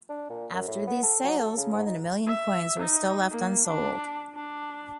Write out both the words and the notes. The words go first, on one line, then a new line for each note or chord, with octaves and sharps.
After these sales, more than a million coins were still left unsold.
D4
A#2
F#2
A2
B3
A4
F#3
A4
C#3
G#2
D#4
E5
D#4
A#3
D4
D4